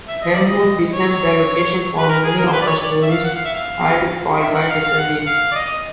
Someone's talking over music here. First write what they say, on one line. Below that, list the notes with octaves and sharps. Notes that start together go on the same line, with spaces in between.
Elmwood became the location for many of her stories, albeit called by different names.
E5
D#5
D5
D#5
C#5
B4
A#4
G#4
A#4
C5
B4
D5
C#5
D5
E5
F5
F#5
F5
E5
F5
E5
F#5
F5
F5
F#5
F5
D5
D#5